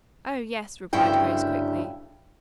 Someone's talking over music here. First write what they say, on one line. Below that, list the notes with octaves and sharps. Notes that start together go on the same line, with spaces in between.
"Oh, yes," replied Grace quickly.
D2 G2 C#3 E4 G5